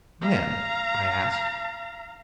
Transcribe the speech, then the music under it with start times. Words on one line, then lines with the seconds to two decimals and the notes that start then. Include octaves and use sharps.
"When?" I asked.
0.21 F5 A#5